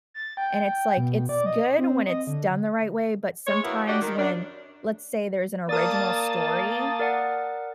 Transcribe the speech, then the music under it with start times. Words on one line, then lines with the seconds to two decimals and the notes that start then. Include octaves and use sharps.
And it's, like, it's good when it's done the right way, but sometimes when let's say there's an original story
0.14 A6
0.37 G5
0.97 B2
1.29 D5
1.46 D#5
1.78 C4
2.07 D#5
2.27 D3
3.46 G#3 C#5
3.63 F#3 A#3 B3 E4
3.87 D4 F#4 G4 D5 D#5
4.02 D#3
4.17 F#2 D4
5.69 A#3 A#4 D5 A5 D#6 A6
6.99 A#4 D5 F#5